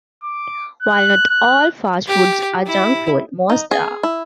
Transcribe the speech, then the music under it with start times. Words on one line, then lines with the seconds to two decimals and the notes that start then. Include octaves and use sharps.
While not all fast foods are junk foods, most are.
0.23 D6
0.82 F#6
1.30 F#6
2.07 G4
2.66 E4
3.50 D#4
3.71 G#4
4.03 E4